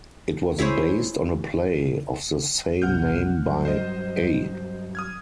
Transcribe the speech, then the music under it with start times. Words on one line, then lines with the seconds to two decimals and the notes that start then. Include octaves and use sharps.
It was based on a play of the same name by A.
0.58 E4 G#4 C5 C#5
2.82 C2 B2 F#5 F6 G6
3.45 G2 F#3
3.65 C5 D#5
4.95 D#6 F6 G#6